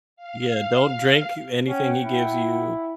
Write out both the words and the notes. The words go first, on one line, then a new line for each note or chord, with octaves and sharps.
Yeah, "Don't drink you anything he gives you."
F5
C#4 F#5 G5
E4